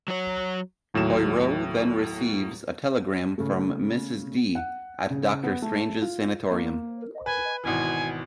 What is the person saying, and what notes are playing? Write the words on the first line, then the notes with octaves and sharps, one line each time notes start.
Poirot then receives a telegram from "Mrs D" at Doctor Strange's sanatorium.
F#3 C#5
D#2 A2 F#3 E7
C#3 A3
F#5
C#3
B3
A3
F4
A#3
B4 G#5
G#1 B2 E3 G#5